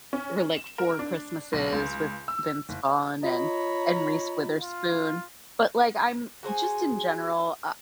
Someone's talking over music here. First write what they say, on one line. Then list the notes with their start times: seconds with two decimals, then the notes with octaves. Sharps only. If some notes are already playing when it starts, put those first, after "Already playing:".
or, like, Four Christmases with Vince Vaughn and and Reese Witherspoon. But, like, I'm just in general a
0.13 C#4
0.56 E7
0.78 A#4
0.99 D4
1.53 B1
1.72 C#2
2.28 E6
2.69 F#1
3.23 F4 C#5 D#5 A#5 B5
4.61 F4
6.43 F#4 G#4 C5 G#5